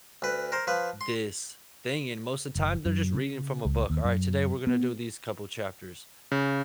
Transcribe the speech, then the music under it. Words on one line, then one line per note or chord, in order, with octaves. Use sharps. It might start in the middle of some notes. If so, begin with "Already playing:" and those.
this thing, and most of the time, they're just reading from a book. "Alright, today, we're gonna do these couple chapters,
D2 B4
A#4 C5
F3 B4
C6
F#1
F#2
C#3
C#2
D#2
F#2
B3
C#3